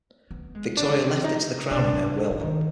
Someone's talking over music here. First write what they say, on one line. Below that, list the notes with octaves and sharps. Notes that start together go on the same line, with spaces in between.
Victoria left it to the Crown in her will.
B3
G#3
G3 D4
F3
B2 D#4
B2 D4
C3
D3
D3
D#3